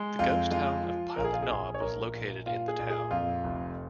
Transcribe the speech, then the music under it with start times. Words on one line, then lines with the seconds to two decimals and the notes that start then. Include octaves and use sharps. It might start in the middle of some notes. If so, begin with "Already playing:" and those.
The ghost town of Pilot Knob was located in the town.
Already playing: G#3
0.19 F2 F4
0.51 G#3 F4
0.84 F3
1.16 A#1 A#4
1.25 G#4
1.33 F4
1.42 G#4
1.49 A#1
1.74 C#5
1.81 A#1 A#4
2.13 A#2
2.46 A#2 F4
2.68 G#4
2.79 A#2
2.90 G#4
3.11 F2 F4
3.44 F1